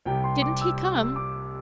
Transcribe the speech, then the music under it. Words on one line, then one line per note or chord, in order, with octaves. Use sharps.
"Didn't he come?"
C2 C3 G3 G5
C6
D6
E6
D6